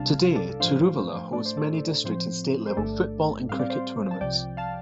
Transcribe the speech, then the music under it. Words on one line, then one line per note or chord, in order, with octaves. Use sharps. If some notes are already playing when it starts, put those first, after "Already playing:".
Today, Tiruvalla hosts many district and state level football and cricket tournaments.
Already playing: C2 C3 G3 D4 F5 A5
A4 D5
A2 F3 A3 D4 C5 F5
A2 A3 D4 D5
C5
A4 D5
A2 F3 C4 C5
C5
G1 G2 D3 A3 D4 A4 D5
A2 G3 C4 F5
D5
C5 F5
A5
C2 C3 F3 D5 G5
F5 A5